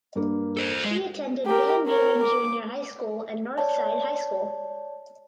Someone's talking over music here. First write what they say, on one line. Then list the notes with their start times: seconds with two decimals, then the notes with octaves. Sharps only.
She attended Van Buren Junior High School and Northside High School.
0.16 G2 A#3 A#4
0.57 A4 C5
0.84 G#3 D#5
1.46 G4 A#4
1.88 A#4 C#5
2.24 D6
3.58 C#5 D5 A5